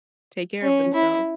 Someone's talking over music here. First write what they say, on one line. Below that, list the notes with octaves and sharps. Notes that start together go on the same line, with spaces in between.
take care of themselves.
C#4
E4